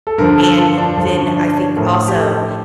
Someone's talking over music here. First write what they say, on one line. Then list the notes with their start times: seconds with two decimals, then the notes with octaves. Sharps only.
and then, I think also
0.07 A4
0.18 G2 D3 F3 A#4
0.37 A4
0.58 F4
0.78 D4
0.97 G2 D3 F3
1.17 C#4
1.37 D4
1.57 C#5
1.77 A2 F3 A#4
2.08 G4
2.16 A4